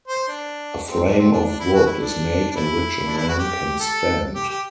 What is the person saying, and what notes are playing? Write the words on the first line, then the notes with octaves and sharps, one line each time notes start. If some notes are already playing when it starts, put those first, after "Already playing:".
A frame of wood is made in which a man can stand.
C5
D4
C4
D4
C4
D4
D4
E4
F#4
E4
D4
D4
E4
D4
E4
F#4
G4
A4
G4
G4